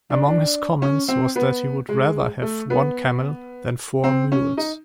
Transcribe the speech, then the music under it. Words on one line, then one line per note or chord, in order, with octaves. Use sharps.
Among his comments was that he would rather have one camel than four mules.
D4
D4
C#4
C4
B3
G#3
A3
B3
C4
C#4
D#4